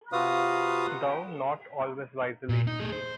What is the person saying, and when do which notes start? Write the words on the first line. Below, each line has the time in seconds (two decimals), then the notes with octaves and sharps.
Though not always wisely.
0.12 C3 F4 F#4 B4 F5 D#6
2.49 A#2
2.67 D#4
2.80 A3 G#4
2.92 C5